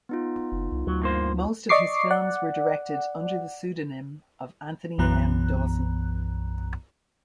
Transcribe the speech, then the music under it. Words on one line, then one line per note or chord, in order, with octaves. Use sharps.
Most of his films were directed under the pseudonym of Anthony M. Dawson.
B3 D#4 F4
F#1
C2
D2 F#3
G2 A#3 C5
D5 D#5 C#6 D6 C7
D5 F#5
B1 F#2 E3 B3 A#5 F#6